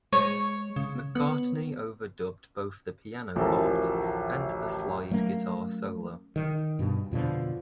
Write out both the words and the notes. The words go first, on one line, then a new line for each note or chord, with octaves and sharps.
McCartney overdubbed both the piano part and the slide guitar solo.
G#3 C#5
C#3
B3
D1 A1 E3 F3 A4 A#4
F#3 A3 A#3 C#4
D#3
G2 B2
F2 B2 D3 F3